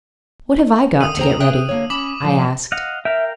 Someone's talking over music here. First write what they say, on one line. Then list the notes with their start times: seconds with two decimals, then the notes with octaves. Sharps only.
'What have I got to get ready?' I asked.
1.00 D3 D#3 D#6 E6 D#7
1.17 D#2 D3 G#4 C5 G5 A#5
1.40 G#4 E5 G5 F#6
1.69 D3 A#3 C#5
1.90 C#4 B5 D6
2.23 A#2 F3
2.72 D#5 F5 F#5
3.05 A#4 E5 F5 G5